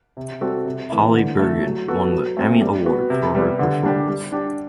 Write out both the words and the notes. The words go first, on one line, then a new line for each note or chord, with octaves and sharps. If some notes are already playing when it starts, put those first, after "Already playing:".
Polly Bergen won the Emmy Award for her performance.
C3
G3 C4 F#4 A4
C3
E3 A3 E4
D3
A3 E4 A4
F#3
B3 F#4 A4
F#3
A3 C4
G3
B3 F#4
C3
G3 B3
D3
G3 D4 G4
G3
D4 G4